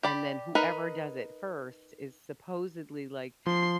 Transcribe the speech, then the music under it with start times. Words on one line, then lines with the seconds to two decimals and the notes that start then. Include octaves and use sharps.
and then whoever does it first is supposedly, like,
0.03 G4 D5 B5
0.55 D#4 A#4 B4
3.47 F3 C6 C7